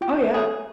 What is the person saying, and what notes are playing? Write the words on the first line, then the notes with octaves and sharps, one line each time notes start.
Oh, yeah.
F4 G4
G#4 A4 C#5 E5